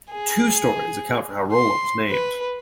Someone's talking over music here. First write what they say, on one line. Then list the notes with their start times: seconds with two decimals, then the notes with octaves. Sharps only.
Two stories account for how Rolla was named.
0.11 G#4
1.53 C6
2.10 B4